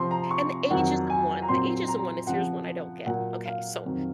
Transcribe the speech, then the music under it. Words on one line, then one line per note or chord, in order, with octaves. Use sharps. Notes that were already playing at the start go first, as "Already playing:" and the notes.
And the ageism one, the ageism one is here's one I don't get, okay, so,
Already playing: C3 F3 C4 C6
A#5
C#6
F2 D#3 F#3 F#5
G#5
A#5
A#2 F#3 C4 C6
A#5
C#3 F3 C4 F#5
A#2 F#3 A#3 F#5
F5
F2 D#3 F#3 C4